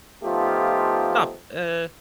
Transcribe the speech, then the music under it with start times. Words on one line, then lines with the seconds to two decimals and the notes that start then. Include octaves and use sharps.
not eh
0.24 F3 A3 B3 D#4 F4 G4